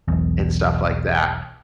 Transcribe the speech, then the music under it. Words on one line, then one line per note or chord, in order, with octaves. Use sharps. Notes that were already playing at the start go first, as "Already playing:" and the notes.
and stuff like that,
E1 B1 E2